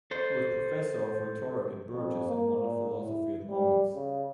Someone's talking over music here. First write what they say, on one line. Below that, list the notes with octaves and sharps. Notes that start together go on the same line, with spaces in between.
He was professor of rhetoric at Bourges, and of philosophy at Moulins.
A4 C5
F2
A#3
A#2
E4
G3
C#3